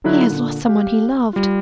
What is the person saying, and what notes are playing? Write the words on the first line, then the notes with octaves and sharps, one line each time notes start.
'He has lost someone he loved.
D3 F#3 D#4 E4 B5 F#6
A#2 D3
G4 F5
G3 F4